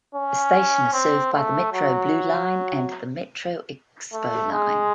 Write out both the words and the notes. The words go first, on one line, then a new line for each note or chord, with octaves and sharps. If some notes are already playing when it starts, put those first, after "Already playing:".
The station is served by the Metro Blue Line and the Metro Expo Line.
C#4
C4
A3
F#3
A3
G#3